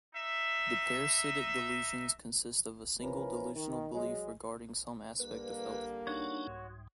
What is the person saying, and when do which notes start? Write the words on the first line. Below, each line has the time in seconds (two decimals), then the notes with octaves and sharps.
The parasitic delusions consist of a single delusional belief regarding some aspect of health.
0.14 D#4 E5
3.01 E3 F3 C#4 A#4 B4
3.55 D#3
3.94 F#3 G#3
5.20 D3 G3 A#3 B4
6.07 D4 D#4 F#4 C#5
6.47 C2 G#2